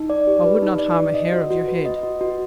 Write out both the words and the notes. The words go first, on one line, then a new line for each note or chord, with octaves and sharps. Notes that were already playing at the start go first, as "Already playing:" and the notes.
I would not harm a hair of your head.
Already playing: D#4
D5
G4
B4
D#4
D5
B4
D#5
F#4
F#4
B4
D#5
F#4
F#4